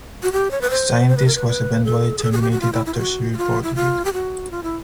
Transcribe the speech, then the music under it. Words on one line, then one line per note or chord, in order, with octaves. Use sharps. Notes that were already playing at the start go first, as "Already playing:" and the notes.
The scientist was eventually terminated after she reported it.
F#4
G4
C#5
B4
C5
C5
B4
A#4
B4
B4
A4
G#4
A4
G#4
F#4
G4
F#4
F4
E4
E4
F4
F#4
F#4
F4
E4
F4
G4
F#4
F4
E4